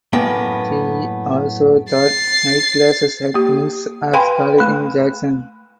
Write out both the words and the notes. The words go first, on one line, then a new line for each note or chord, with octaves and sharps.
He also taught night classes at Millsaps College in Jackson.
F#2 A2 A#3 B3 G5
A6 C7
A#3 G4
B4 F5 G5 G#5 B5 C6
A3 B5